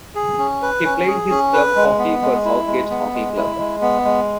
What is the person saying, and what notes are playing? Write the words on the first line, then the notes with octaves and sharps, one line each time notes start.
He played his club hockey for Southgate Hockey Club.
G#4
C#4
B4
C#4
G#4
C#4
B4
G#3
B3
G#3
E4
G#3
B3
G#3
E4
G#3
B3
G#3